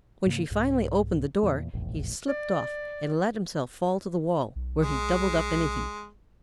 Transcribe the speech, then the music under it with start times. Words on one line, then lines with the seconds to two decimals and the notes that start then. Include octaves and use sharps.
When she finally opened the door he slipped off and let himself fall to the wall, where he doubled up in a heap.
0.26 G#2 C#3 A#3
0.51 C2 G#2
1.43 E2 A#2
1.73 F1 A#1 E2 A2
2.27 D5
4.56 B1
4.83 G#3